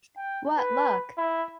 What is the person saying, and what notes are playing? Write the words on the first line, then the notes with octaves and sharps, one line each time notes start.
What luck!
G5
B4
E4